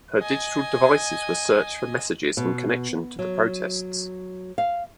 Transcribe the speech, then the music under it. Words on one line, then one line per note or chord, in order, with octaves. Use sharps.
Her digital devices were searched for messages in connection to the protests.
D#5 G#5
B2
F#3
F5